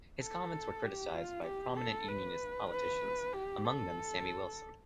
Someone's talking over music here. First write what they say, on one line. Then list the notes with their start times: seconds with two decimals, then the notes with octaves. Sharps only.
His comments were criticised by prominent Unionist politicians, among them Sammy Wilson.
0.20 A4
0.83 G4
1.15 F4
1.45 G4
1.77 A4
2.08 B4
2.71 B4
3.33 G4
3.65 A4